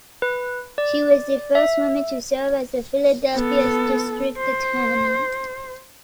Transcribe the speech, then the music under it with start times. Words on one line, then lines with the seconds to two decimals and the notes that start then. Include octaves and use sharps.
She was the first woman to serve as Philadelphia's district attorney.
0.22 B4
0.78 D5
1.55 E5
3.34 B3 A4
4.38 C5